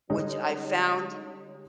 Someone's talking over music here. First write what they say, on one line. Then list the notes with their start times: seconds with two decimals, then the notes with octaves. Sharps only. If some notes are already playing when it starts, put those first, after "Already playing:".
which I found
0.10 D3 G3 G#3 C#4 D#4